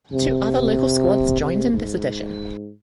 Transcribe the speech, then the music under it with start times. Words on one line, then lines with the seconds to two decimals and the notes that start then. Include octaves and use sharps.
Two other local squads joined in this edition.
0.13 C3
1.41 C3
1.73 G#2